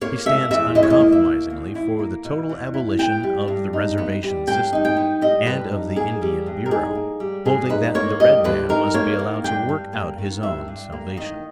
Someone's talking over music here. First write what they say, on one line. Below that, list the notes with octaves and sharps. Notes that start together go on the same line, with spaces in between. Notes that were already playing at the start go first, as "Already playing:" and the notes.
He stands uncompromisingly for the total abolition of the reservation system and of the Indian Bureau, holding that the red man must be allowed to work out his own salvation.
A#3 C#5
B2 E5
E2 E5
E4 D#5
C#5
D#5
A#3
E5
B2
E2
E4
A#3
B2
E2
E4
B3 G5
G3
G2
D#4
B3
G3
G2 G5
D#4
G5
B3
G3 D#5
G2 B4
D#4
A#3 G#4
G3
G2
A#4
D#4 G#4
A#3
G3
G2 G#4
D#4 B4
A#3 C#5
G3 D#5
G2 B4
D#4 A#4
A#3 C#5
D#3
G2 G5
G2
A#3
D#3
G2 E5
G2
A#3
D#3 D#5